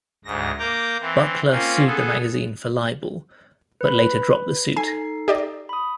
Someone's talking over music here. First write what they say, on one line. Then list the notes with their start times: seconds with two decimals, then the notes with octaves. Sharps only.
Buckler sued the magazine for libel, but later dropped the suit.
0.25 D2 G#2 A#6
0.59 A#3 A#5 D6 G6
1.01 E3 C4
1.51 A#3 C4 C#4 F4
1.86 B3 G#4 A4
3.81 B4 B5
4.77 D#4 A4 G#5 C7
5.28 G4 D5 D#5
5.69 B5 D#6